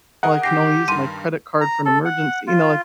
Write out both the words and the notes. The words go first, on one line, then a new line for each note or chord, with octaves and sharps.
"Well, I can only use my credit card for an emergency" you know, like
G#4 A#4 D#5 F#5
D3 G4 G5 A#6 C7
G2 D#3 C6 D#7
A#5
A4
F#5
F4